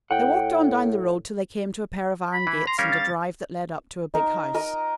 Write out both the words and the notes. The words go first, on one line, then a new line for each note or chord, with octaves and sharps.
They walked on down the road till they came to a pair of iron gates and a drive that led up to a big house.
A2 F#5 G5
B5
E3
A#5 C6
G3 C#4 A#4 F5
A6
D#4 A#4
A#4 D#5